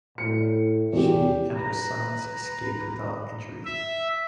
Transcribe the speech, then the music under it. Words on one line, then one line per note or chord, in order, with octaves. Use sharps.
She and her sons escaped without injury.
A2 C#7
E2 G4
B4 A#5
E5